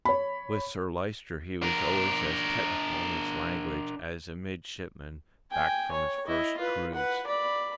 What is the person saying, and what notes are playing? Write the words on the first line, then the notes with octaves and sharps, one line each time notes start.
With Sir Lyster he was always as technical in his language as a midshipman back from his first cruise.
C#5 B5
D4 A#4
G5 G#5
C#5
E4 D#5
F4 B4
B4 F#5
D5 B5